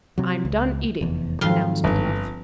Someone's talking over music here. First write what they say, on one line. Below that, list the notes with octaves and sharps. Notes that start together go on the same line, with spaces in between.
"I'm done eating," announced Bluff.
C3 F#3
C#2
F1 E2
F2 G#2 D#3 F#3 F4 C6
G1